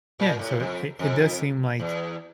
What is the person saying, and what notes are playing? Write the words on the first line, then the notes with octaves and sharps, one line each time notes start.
Yeah, so it it does seem like,
A#2
A2
F2
F2
E2